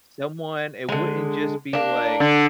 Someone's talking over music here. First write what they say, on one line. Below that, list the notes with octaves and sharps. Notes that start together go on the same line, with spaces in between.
Someone it wouldn't just be like,
D3 G#3
A#3 D4
D3